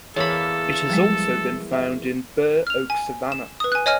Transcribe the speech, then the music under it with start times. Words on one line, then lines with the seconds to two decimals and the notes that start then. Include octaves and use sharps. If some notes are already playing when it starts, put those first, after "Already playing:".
It has also been found in bur oak savanna.
0.16 E2 A#3 A4 C#5 B5
0.90 F3 G3 G#3
1.73 E5
2.67 F6 F7
2.90 G#5
3.32 E7
3.60 B4 D#6
3.72 G#5 F#6
3.86 C#5 D#5 G#5 F6